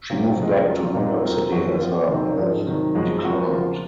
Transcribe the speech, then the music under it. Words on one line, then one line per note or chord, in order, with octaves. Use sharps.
She moved back to New York City as her health declined.
A#2 F#3 C4
C3 F3 G#3
F#3 C#4 F4
A#2 G#3 C4 D#4
F#3 C4 F4 A#4
F#2 F3 C4 F#4
F3 C4 F4
C3 D#3 F#3 C4 D#4
G#2 F3 G#3
C3 D#3 F#3
F#2 F3 G#3 D#4 F#4
F3 C4 F#4 A#4
C#3 F3 A#3 F4